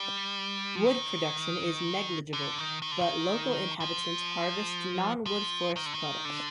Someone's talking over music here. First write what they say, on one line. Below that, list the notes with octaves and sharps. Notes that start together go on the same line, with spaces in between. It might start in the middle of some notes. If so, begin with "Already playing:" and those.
Wood production is negligible, but local inhabitants harvest non-wood forest products.
Already playing: G3
F3
D#3
D3
D#3
D#3
D3
D#3
F3
F3
D#3
D3
D#3
D3